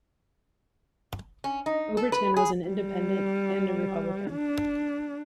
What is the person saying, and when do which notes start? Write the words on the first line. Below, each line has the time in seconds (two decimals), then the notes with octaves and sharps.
Overton was an independent and a republican.
1.44 C#4
1.66 D#4
1.97 A4
2.12 B4
2.36 G#4
2.68 G3
4.31 D4